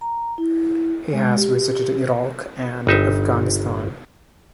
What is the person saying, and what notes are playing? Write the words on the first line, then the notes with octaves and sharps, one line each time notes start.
He has visited Iraq and Afghanistan.
A#5
E4
G#3
G4
G1 D#4 E5